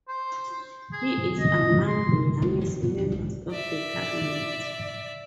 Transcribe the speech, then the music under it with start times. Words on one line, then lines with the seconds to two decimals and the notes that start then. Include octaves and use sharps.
He is among the youngest members of the cabinet.
0.08 C5
0.93 G#4
1.39 D#5
1.88 C6
2.42 D1 D#2 F3 G#3
2.66 F#2 D#3 F3 G3
2.81 A#2 F#3 B3
2.97 D#2 F3 D4
3.12 A#1 G#2 G3
3.51 D5 E5